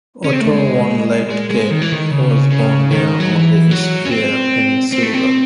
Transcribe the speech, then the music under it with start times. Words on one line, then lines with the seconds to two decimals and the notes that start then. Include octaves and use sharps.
Otto von Leitgeb was born there, on the Istria peninsula.
0.24 C#4
0.33 C4
0.41 A3
0.50 G#3
1.30 G#3
1.50 G#3
1.71 D#3
1.82 E3
1.92 D#3
2.11 C#3
2.51 C#3
2.91 D#3
3.20 F#3
3.32 E3
3.71 F#3
4.06 C#4
4.12 C4
4.92 C4
5.03 A3
5.14 C4